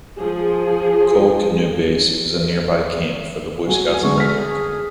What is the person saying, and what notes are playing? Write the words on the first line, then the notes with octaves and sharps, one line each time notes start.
Cole Canoe Base is a nearby camp for the Boy Scouts of America.
F3 G#4
F#3 A3 G#5
D3 G#3 A3 C#6
A4 F6 B6
G#4